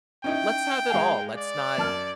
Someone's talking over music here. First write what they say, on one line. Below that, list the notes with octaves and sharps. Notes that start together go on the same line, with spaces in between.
Let's have it all. Let's not
C#4 D#4 E4 G5
G#3 F5 G#5
D5
F#2 A5 F6